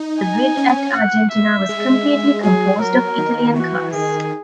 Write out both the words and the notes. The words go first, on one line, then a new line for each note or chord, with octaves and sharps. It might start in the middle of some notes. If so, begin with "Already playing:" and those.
The grid at Argentina was completely composed of Italian cars.
Already playing: D#4
G#5
C#4
F#5
E5
G#3
F#3 G#4
A#4
D#3
E3 F#4
D#3 G#4